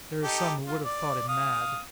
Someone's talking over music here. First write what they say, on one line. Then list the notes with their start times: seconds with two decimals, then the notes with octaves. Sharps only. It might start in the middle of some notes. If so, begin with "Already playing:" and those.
There are some who would have thought him mad.
0.23 D#4 G4 A4
0.66 F4
0.85 D5
1.28 F5 D#6